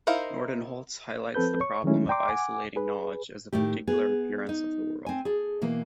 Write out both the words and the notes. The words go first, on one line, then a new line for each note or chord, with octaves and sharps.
Nordenholz highlights the problem of isolating knowledge as a particular appearance of the world.
D#4 E4 A#4 C5 F5
F3 C4 A4 B4 G6
C#5 C#6
D#3 F#3 G#3 A3 C#4 E4
D5 G5 A#5 C6 D6
F#5 G#5 D6
G#4 B4
A2 D#3 A3 G4
B3 G#4
D#4
C4 G#5
G#4 A4
B2 E3 A#3